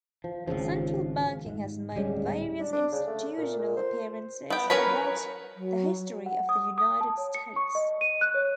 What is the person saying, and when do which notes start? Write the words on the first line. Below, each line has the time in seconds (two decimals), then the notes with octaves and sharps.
Central banking has made various institutional appearances throughout the history of the United States.
0.24 F3
0.47 G#1 D2 C#3 F3
1.46 G#2
1.95 D1 G3 G#3 C#4
2.60 D4
2.73 D4
2.92 C#3
3.07 A3
3.38 A#2
3.59 A#2
3.76 C5
4.50 B3 G5
4.70 C#4 A#4 B4 C#5 B5
5.56 F#3
6.26 F#5
6.49 D#6
6.78 D#6
7.01 A5
7.18 C#5
7.35 C#7
7.56 C#6
7.75 D#5
8.01 D#7
8.21 F#6
8.34 C#5